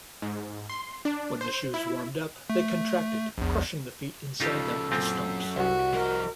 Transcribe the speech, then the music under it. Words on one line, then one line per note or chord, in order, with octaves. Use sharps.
When the shoes warmed up, they contracted, crushing the feet inside them to stumps.
G#2
C6
D4
C5
E4
A3
A#1 E2
C#3 F3 D#4 F4 G4 A4
F#2 A#2 C4 F4
C2 F#4
F3 A#4 D#5